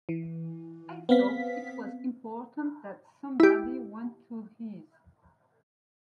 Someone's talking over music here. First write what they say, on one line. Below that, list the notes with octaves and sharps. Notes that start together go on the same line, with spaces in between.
I thought it was important that somebody went to his.
E3
B3 C4 F5 B6
E4 G4